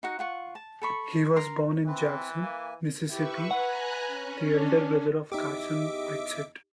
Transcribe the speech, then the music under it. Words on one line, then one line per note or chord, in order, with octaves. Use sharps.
He was born in Jackson, Mississippi, the elder brother of Carson Whitsett.
D#4 F#4 F#5
F4 F#5 C#6
A5
A4 B5 C#6
A#4 A#5 C6
E3 C4 B4
A#3 G#5
E4 G4 B4 E5 C#6
B4 F#5 G#5 A#5 F#6
C#4
D4
E2 D#4 G4 D#5 E5 D6